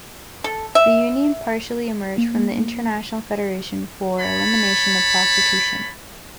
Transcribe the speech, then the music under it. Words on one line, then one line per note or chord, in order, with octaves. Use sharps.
The union partially emerged from the International Federation for Elimination of Prostitution.
A4
E5
A#3
C#5 A5 B5